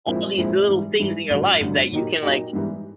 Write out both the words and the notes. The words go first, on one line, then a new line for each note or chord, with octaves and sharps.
all these little things in your life that you can, like,
A#2 F3 G#3 C4 E4
A#2 F3 G#3 C4 E4
G#2 E3 G3
G#2 E3 G3
A1 G2 D3 F#3
A1 G2 D3 F#3
A#2 F#3 A#3 D#4 G4
A#2 F#3 A#3 D#4 G4
G#2 E3 G3 B3